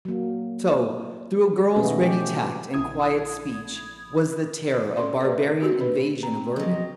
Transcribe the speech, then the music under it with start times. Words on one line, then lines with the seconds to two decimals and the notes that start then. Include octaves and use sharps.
So, through a girl's ready tact and quiet speech, was the terror of barbarian invasion averted.
0.05 F#3 A#3
1.76 B2 A3 B3 C#4 D#5
2.01 E3 G4
2.73 A#1 E4 D#6 G#6
4.97 C#4 A4 D5 D#5 C6
5.23 B4 D5
5.61 B3 F#4 G4
5.80 D4 B4 D#5
6.23 C4 A#5
6.56 F3 F#3 D#5